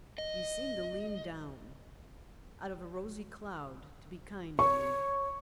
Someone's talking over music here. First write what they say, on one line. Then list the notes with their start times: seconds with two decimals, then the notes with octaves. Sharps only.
You seemed to lean down--out of a rosy cloud--to be kind to me.
0.18 D#5
4.59 C#5 C#6